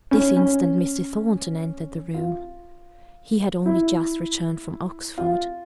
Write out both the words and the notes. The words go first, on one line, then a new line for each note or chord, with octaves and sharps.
At this instant Mr. Thornton entered the room; he had only just returned from Oxford.
C#4
C#4
F4
E4
F4